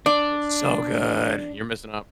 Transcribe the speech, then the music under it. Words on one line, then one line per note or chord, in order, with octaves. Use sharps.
It's so good. You're missing out.
D4 D5